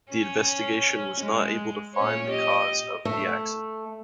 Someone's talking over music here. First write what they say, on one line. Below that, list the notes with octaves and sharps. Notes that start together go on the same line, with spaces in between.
The investigation was not able to find the cause of the accident.
C#4
G#3
A#2 C#4 C#5
G4 D#5
A3